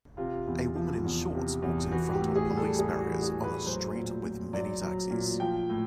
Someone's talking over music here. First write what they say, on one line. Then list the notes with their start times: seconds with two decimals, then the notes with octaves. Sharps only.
A woman in shorts walks in front on police barriers on a street with many taxis.
0.17 C3 F4
0.47 E2
0.76 F3
1.04 E2
1.34 C3
1.62 E2
1.92 E3 F#4
2.13 G4
2.21 A2
2.35 G#4
2.50 G3
2.57 A4
2.79 A2 G#4
3.00 F#4
3.08 E3
3.22 G#4
3.37 A2
3.44 B4
3.65 F#3 C5
3.95 A#2
4.25 A#2
4.53 F#3 D5
4.82 F#3
5.11 A#2
5.40 F3 G5
5.70 A2